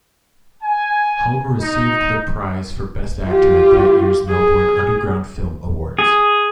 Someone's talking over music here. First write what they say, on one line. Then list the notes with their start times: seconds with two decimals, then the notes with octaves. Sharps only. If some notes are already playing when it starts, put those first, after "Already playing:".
Hulme received the prize for best actor at that year's Melbourne Underground Film Awards.
0.63 G#5
1.61 D#4
3.28 F4 G4
4.29 G#4
5.99 G#4